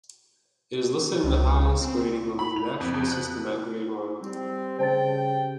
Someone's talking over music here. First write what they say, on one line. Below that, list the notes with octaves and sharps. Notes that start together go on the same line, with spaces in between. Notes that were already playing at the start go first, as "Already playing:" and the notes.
It is listed in the highest grading of the national system at Grade One.
C#2
C4
B5
F7
F2
F2
F#6
G3 C4
C#3 G4 C5 G5 A5 A6